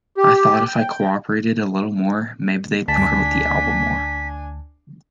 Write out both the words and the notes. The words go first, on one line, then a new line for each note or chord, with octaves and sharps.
I thought if I cooperated a little more, maybe they'd promote the album more.
G4
G5
D2 D4 G#5 A5 B6